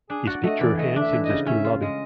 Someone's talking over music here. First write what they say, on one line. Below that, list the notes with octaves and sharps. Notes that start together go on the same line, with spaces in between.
His picture hangs in the school lobby.
D4 G#4
F#4 D5
A3 D#5
E3 D5
A3 D#5
D4
E5
E3
D#5
C#3
C#4 E5
F4
G#3 D#5